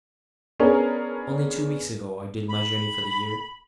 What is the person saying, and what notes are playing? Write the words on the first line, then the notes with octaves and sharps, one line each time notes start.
Only two weeks ago I did my journey for the year.
B3 C#4 D4 G#4 A#4 C#5
B5